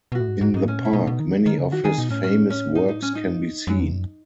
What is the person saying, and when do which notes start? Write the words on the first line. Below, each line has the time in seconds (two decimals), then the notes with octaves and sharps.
In the park many of his famous works can be seen.
0.12 B2 F#4
0.20 A2
0.28 G#2
0.41 G#2 F#4
0.54 G#2 D#4
0.68 A2 C#4
0.81 B2
0.85 E4
0.93 B2 D#4
1.07 B2
1.20 D#3
1.46 D#3
1.58 C#3
1.72 D#3 F#4
1.84 D#3 G#4
1.98 B2 D#4
2.10 A2 C#4
2.23 C#4
2.50 C#4
2.75 D#4
2.88 D#4
3.02 C#4
3.15 D#4
3.28 F#2
3.40 E2
3.67 F#2
3.80 E2
3.92 F#2